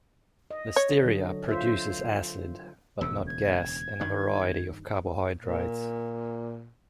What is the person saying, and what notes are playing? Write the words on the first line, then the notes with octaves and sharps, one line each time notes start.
"Listeria" produces acid, but not gas, in a variety of carbohydrates.
D#5
C#5
D3 F#3
F4 C5 E5
E1 D2 C#3 E6
G#6
G2 D#3
A#2